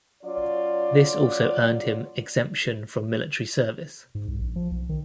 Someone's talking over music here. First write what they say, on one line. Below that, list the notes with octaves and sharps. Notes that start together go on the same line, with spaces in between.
This also earned him exemption from military service.
F#3 C#4 F4 D5
G#2
C2
A#1
F3
B1
D#3